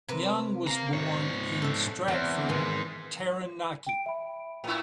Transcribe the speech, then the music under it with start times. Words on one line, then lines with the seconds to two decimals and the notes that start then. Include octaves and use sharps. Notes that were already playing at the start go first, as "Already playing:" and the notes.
Young was born in Stratford, Taranaki.
0.08 C3 A#4 B4
0.67 F5 A#5
0.93 G#2 C#5
1.62 A4 E5
2.08 E2 C4
2.49 G#2 D#3 E3 G#3
3.87 G5 D7
4.06 E5 B5
4.64 A2 E4